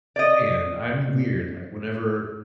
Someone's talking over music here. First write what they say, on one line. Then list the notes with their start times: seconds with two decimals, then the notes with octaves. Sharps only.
and I'm weird, like, whenever
0.16 D5 D#5